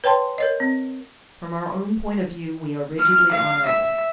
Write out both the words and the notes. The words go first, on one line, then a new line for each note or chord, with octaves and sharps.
From our own point of view we are rigidly honourable.
B4 C#5 G5 A5 C6
A#4 C#5 D#5
C4
F6
F5
E5